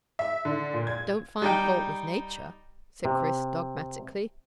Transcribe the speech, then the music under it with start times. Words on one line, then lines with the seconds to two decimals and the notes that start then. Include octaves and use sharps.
"Don't find fault with nature," said Chris dogmatically.
0.19 E5
0.45 D3
0.73 A#2
0.87 G#6
1.42 G3 D#4 G5
3.05 C3